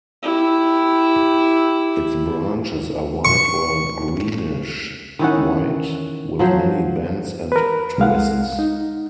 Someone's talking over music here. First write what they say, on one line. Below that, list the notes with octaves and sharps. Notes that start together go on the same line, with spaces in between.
Its branches are white or greenish-white, with many bends and twists.
E4 G4
C#6
D#3 E3 C#4 F#5
F3 F#3 C5
A#4 B4
C2 G#3 F5 F#5
D#4